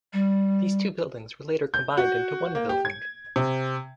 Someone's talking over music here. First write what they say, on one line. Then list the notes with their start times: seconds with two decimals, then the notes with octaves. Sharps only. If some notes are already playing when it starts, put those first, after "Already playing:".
These two buildings were later combined into one building.
0.13 G3
1.74 G6
1.97 F#4
2.55 A#3
2.69 G4
2.85 G#6
3.36 C3